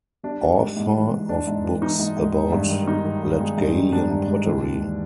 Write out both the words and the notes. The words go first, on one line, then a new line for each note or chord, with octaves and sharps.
Author of books about Latgalian pottery.
G3 D4
G3
G#2
G#2
E3
G#2
G#2 D4
G#2
E3
E3 D#4
G#2
G#2
D#3
G2
D#3
D#3 D#4
D#3
D#3
G#3
G2
D#3
G2 D4
G2
G#3
D#2
D#2
E3